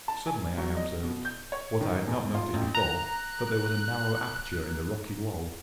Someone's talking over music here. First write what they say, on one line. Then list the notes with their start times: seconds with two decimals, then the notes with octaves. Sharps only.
Suddenly I observed, what I had not noticed before, that there was a narrow aperture in the rocky wall.
0.08 A5
0.27 G#5
0.58 F#3
0.77 D#5
1.03 B2
1.25 G6
1.52 C#5
1.81 D#3
2.08 E2
2.34 F4
2.54 A1
2.75 A#5 F#6